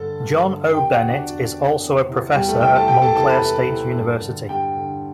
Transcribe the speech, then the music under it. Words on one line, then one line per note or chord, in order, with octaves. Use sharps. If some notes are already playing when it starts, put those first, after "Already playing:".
John O. Bennett is also a professor at Montclair State University.
Already playing: G2 D3 A4 A5
G2
D3
E2 G4 G5
F#4 F#5
D3
D4 D5
E2 F#4
D3
E2
C3 E3
E2 G3 G4
A3 A4
C3 E3 G4 G5
A4 A5
E2 G4 G5
A4 A5
C3 E3 A4 A5
B4 B5
E2 A4 A5
C3 E3
G2
D3
G2 G4 G5
D3